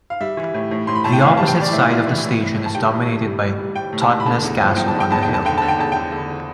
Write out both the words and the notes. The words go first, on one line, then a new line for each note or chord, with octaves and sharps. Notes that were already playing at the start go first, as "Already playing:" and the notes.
The opposite side of the station is dominated by Totnes Castle, on the hill.
F5
G3 E5
E3
A2
A2
A2 C6
B5
A2 A5
G5
E3 F5
G3 A5
G5
G3
D5
A2 E5
E3
E3
A2
A2
A2
A5
G3 G5
A2
A2
G3
A2
G3
G3 G5
A2
A5
A2
B5
D3 A5
E2
F3
E2 G5
A5
E2
G5
E2 A5
G5
E2
A5
D3 G5
D3 A5
G5
E2 A5
D3 G5
D3